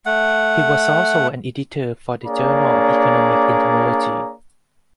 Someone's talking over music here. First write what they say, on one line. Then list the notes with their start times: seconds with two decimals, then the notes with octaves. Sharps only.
He was also an editor of the "Journal of Economic Entomology".
0.06 A3 F#5
2.25 A#3 D4 G#4 C#5 D5 A#5